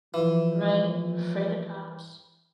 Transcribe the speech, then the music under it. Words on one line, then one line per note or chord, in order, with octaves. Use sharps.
Right, afraid of cops.
E3 F3